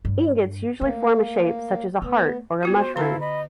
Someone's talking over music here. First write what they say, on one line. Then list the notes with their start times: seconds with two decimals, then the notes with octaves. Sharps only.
Ingots usually form a shape such as a heart or a mushroom.
0.05 G2
0.81 A3 A#3
2.02 A3 B3
2.63 B3 F4 F#4
2.76 C5
2.96 D3 E4 A4 F5 A#5
3.20 D#5 B5